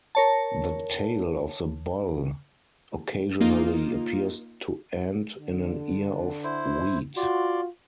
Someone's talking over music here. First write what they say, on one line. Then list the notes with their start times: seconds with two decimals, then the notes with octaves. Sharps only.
The tail of the bull occasionally appears to end in an ear of wheat.
0.15 A#4 C#5 A5
3.41 A#3 D#4 F4
5.38 D3
6.44 E4 C5
7.17 F4 F#4 D5 C6